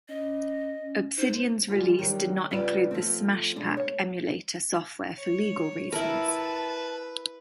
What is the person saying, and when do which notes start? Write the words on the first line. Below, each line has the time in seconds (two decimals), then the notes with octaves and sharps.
Obsidian's release did not include the Smash Pack emulator software for legal reasons.
0.09 C#4 D#5
1.18 D#4 C5
1.68 D2 G3 F4 G#5
1.99 D#3 F#3 G3
2.51 D2 G2 C#3 F4 B4 D5
2.91 F3 A3 C4
3.56 B2 G#3 D4
3.77 C#5
5.18 C#5
5.92 E4 A#4 B4 A5